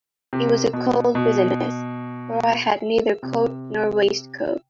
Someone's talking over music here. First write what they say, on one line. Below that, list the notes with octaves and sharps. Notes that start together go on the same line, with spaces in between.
It was a cold business, for I had neither coat nor waistcoat.
C3
B2
B2
C3